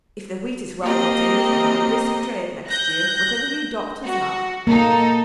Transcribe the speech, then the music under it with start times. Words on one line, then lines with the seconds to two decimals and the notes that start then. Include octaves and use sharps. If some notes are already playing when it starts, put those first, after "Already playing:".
If the wheat is well got in, we shall have a brisk trade next year, whatever you doctors have.'
0.81 A#3 C4 G4 A#4 D#5
2.69 F#6 G6 A#6
4.04 F#4
4.67 A#3 D#4 A4